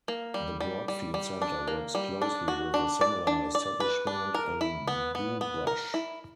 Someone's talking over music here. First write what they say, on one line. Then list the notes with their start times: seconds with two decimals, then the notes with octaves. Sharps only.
The Broadfield centre works closely with a similar establishment in Bewbush.
0.08 A#3
0.34 G3
0.60 G3
0.88 G3
1.14 G3
1.42 D4
1.68 A#3
1.95 G3
2.22 D4
2.48 F#4
2.74 D4
3.01 D5
3.27 D4
3.55 D5
3.80 B4
4.07 D4
4.35 A#4
4.61 E4
4.87 B3
5.15 B3
5.41 B3
5.67 A#4
5.94 E4